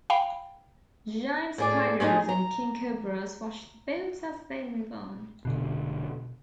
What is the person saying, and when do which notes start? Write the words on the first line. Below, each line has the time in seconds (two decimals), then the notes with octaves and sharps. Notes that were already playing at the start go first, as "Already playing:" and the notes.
Giant spiders and king cobras watch the boats as they move on.
0.10 F5 G5 B5
1.58 A2 G#4 D5
2.00 G#3 A3 D4 D#4 G#4
2.29 A#5
5.45 F1 B2 D3